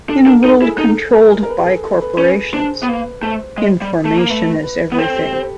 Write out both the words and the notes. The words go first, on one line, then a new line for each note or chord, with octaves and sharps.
In a world controlled by corporations, information is everything.
D4 A4
D4 A#4
D#4 A4
E4 G#4
D#4 A4
A#4
A#4
B4
G#4
A4
A4
B4
C#4 B4
D4 C5
B3
A#3 B4
A3 C5
G#3
G3
A3
A#3
A3 B4
B4
B3
C4 A4
G4
G4